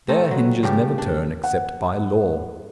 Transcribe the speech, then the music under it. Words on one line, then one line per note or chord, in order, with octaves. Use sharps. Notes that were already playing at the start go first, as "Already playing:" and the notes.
Their hinges never turn except by law.
A3 C4 D#4
F#3 B4
G2 C#3 D4 G4
D4
F#5